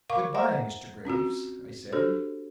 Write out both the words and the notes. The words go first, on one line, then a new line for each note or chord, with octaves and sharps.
"Good-bye, Mr. Graves!" I said.
A#4 F5 B5 C#6 D6
C5 E5 F#5 A#5
C4 C#4 F4 F#4
D4 F#4 G4 A4 C5 C#5